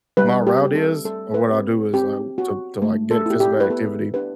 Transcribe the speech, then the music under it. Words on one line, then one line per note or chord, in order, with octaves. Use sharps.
my route is or what I do is, like to to, like, get physical activity,
G3 B4
G4
C4 G4
A4
G3 A4
B4
C4 G4
C4 G4
F#4
A3
A4
E4 G4
G4
B4
B3 A4
D4 G4 B4